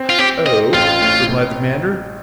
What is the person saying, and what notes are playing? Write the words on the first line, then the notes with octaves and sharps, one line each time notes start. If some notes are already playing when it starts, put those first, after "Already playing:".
"Oh?" replied the commander.
Already playing: C4
F4
C4 G4
C4 D#5
A1 F4
A2
A2